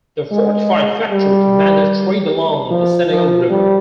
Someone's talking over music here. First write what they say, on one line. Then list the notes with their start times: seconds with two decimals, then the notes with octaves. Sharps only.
The fortified factory commanded trade along the Senegal River.
0.32 G#3
1.12 G3
2.71 F3
3.11 F3
3.50 G3